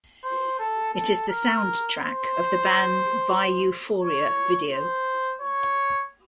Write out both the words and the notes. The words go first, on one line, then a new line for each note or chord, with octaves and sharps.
It is the soundtrack of the band's "Vieuphoria" video.
C5
A4
A4
A#4
C5
C#5
C5
C#5